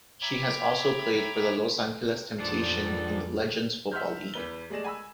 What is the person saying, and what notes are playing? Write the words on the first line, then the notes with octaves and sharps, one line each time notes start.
She has also played for the Los Angeles Temptation in the Legends Football League.
C#5 E5 G5 A#5 B5 D6
F2 F3 D4 D5
E5 F#5 C6 F6 G6
E2 B4 G7
G#3 A3 G#4 D5 A#6 E7
G#5 B5 E6